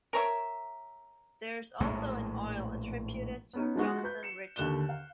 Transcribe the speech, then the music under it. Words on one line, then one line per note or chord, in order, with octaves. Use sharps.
There is also an oil attributed to Jonathan Richardson.
A#4 C#5 E5
A#1 A2 G#3
B3 C#4 D#4
F3 G#3 F#4
B4 G6
C#7 E7
D#2 D3 F#6 E7 G7
F5